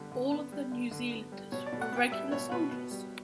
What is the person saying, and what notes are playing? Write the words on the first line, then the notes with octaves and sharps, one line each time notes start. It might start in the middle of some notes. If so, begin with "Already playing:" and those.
All of the New Zealanders were regular soldiers.
Already playing: D3 G3 B3
D3
B3
G3
D3
D3
B3
G3
B2 C#5
D5
B2
F#5
B3 G5
G3 E5
B2 C#5
B2 B4
B3
G3